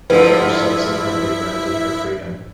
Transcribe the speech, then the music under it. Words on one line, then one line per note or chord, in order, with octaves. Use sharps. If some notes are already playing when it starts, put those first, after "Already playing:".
The judge subsequently granted her freedom.
G2 D3 F3 E4 B4 E5